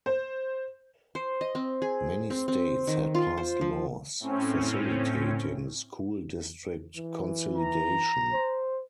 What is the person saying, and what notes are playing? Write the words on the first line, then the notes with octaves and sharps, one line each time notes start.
Many states had passed laws facilitating school district consolidation.
C5
C5
D#5
C4
G#4
C4
C4
D#3
F4
C5
F3
A2 C4 C#4
E3
A#5
C5